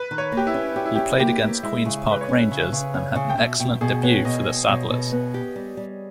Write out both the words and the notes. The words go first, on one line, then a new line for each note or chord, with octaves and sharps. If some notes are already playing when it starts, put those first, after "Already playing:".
He played against Queens Park Rangers and had an excellent debut for the Saddlers.
Already playing: B4
D#3
C#5
A#3 G4
E4
C#4
C#4 G4
E4
C#4 G4
A#3 G4
A#3
G#3 E4
C#3
G#3 B4
C#5
C#4
C#3
C#3
C#4
C#3
G5
B2 E5
B2 G5
B2 G#4
B3 C#5
B2 D#5
B2
B2 C#5
B2
B3
G4
G3
G3